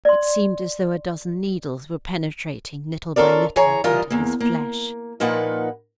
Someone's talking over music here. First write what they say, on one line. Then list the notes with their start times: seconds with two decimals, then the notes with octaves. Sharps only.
It seemed as though a dozen needles were penetrating little by little into his flesh.
0.05 D5 C6
3.16 C#4 F4 A4 A#4 D5
3.56 E3 G#4 C#5 A#5
3.84 E3 G3 F4 A#4 D#5
4.10 E2 A#3
4.40 A#3
5.20 A#2 F3 A#3 D#4 B4 F#5